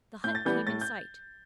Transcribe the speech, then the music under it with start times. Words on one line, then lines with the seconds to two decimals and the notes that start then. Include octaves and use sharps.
The hut came in sight.
0.24 A2 G6
0.35 A6
0.45 E3 G3 B3 G6
0.67 A2 A6
0.81 G6